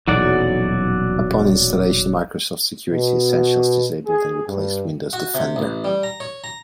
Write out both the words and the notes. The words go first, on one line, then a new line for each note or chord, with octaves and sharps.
Upon installation, Microsoft Security Essentials disabled and replaced Windows Defender.
D#1 B1 E2 F#3 F#4 D5
B2
G#4
G2
F#4
C3
A1
G3
A#5
C#5
A#5